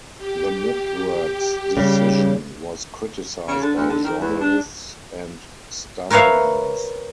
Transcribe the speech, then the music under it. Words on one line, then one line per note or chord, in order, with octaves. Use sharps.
The network's decision was criticized by journalists and staff members.
G4
C#3 G3
C#3
D3
D2
D3
D#3
E2
D4
A#4 B4 C#5 E5 F5